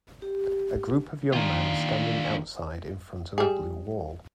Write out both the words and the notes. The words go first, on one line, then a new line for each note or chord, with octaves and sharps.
A group of young men are standing outside in front of a blue wall.
G4
D#2 D#3 D4 F4
G3 G#4